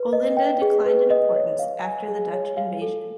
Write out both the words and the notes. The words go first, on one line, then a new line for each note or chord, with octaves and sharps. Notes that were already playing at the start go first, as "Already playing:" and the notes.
Olinda declined in importance after the Dutch invasion.
Already playing: B4
D#5
G5
G#4
B4
D#5
C#5
F5
G#5
G#4
C#5
F5
A4